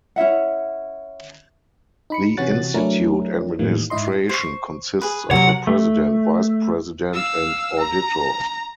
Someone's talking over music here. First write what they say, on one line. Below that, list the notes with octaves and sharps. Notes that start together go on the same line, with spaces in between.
The institute administration consists of a president, vice president, and auditor.
C#4 E4 E5 F#5
D#4 B5 C#7
C3 E3 C#4 F#4 F#6 A6
F#3 A3 C#4 D4 E4 A#4
A2 D#3 E3 G3 A#3
G#2 E4 D#5 C6
C5 C#6
G#4 B4
C3 F#3 F#4 A#4 F#5
A3
F5 E6
A#5